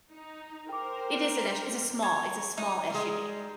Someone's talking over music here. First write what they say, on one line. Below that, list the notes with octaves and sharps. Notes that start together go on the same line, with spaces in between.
It is an S it's a small it's a small SUV.
D#4
A#4 C5 G5 D6
C#5
D#4
G3 G#3